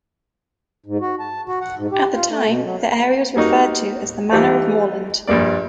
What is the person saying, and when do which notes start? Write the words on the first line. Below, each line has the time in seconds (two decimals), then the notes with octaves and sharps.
At the time, the area was referred to as the "Manor of Mooreland".
0.86 G#2
1.01 F#4
1.20 A5
1.48 F#4
1.61 F#5
1.77 G#2
1.91 G4
2.15 F4
2.29 A3
2.46 B2
2.64 F#3
3.36 G3 A#3 D#4 F#4
4.32 E3 G3 D#4 F4 C5
5.27 A#1 G2 A#3 D5